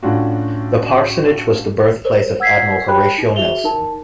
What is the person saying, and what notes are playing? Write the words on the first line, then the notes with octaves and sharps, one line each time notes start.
That parsonage was the birthplace of Admiral Horatio Nelson.
A2 C#4 D4 F4 F#4
A#4 C5 C#5
F#5 E6 G#6 B6 C7
G4 A#4 C#5 G5 B5 F#6
D#4
F#4 G#4 E5 F7 G7
D#4 A#4 A5